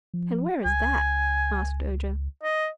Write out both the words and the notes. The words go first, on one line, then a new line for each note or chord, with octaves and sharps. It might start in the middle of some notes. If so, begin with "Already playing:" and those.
"And where is that?" asked Ojo.
F3
C#2 G#5
D#5